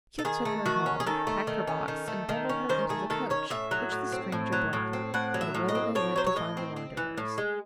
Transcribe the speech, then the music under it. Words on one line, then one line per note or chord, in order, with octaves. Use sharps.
Kit took her home, packed her box and bundled her into the coach which the Stranger brought, and away they went to find the wanderers.
A4
D#3 G#4
A3
D#3 F#4
C#4
G#4
D#3 A4
A3
D#3
C#4
D#3
A3
D#3
C#4
D#3 C5
A3 G#4
D#3 A4
C#4 C#5
A2 E5
F#3
A2
C4
A2
F#3
A2
C4
A2 F#5
F#3
E5
A2
D#5
C4
A2 C#5
F#3 C5
C#5
A2 D#5
C4
C4
E3
A2
G#3